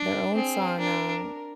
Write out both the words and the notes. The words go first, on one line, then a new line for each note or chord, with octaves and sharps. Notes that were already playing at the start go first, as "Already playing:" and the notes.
Their own sauna.
Already playing: D4
C4 G#4
D4 A#4